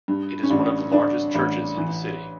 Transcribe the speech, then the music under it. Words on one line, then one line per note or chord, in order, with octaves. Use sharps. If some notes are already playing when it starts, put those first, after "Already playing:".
It is one of the largest churches in the city.
G2
C#4
A1 D4
D3 D4
A1
E3